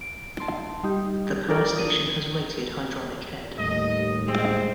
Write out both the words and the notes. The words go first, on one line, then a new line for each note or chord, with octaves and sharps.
The power station has rated hydraulic head.
D7
A5 C6
G3 D#4 G4
D4 F4 A4 A#4 D5
D#6 D#7
D#2 A2 G3 A3 D#5
G#3 C4